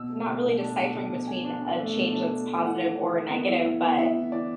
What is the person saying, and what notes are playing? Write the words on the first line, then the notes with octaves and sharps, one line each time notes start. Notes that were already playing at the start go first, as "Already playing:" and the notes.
Not really deciphering between a change that's positive or negative, but,
Already playing: B2 E6
A3
B2
B2
D4
B2
B2
B2
B2 G#5
D4
D4
A3
B2
D4
A3
A3
E3 F#5
E3
E3
E4
B3
E4
E4
B3
E3 E5
E3
E3 D5